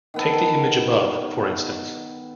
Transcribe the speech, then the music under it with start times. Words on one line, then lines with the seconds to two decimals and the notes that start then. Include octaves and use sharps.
Take the image above for instance.
0.14 D#3 B3 A4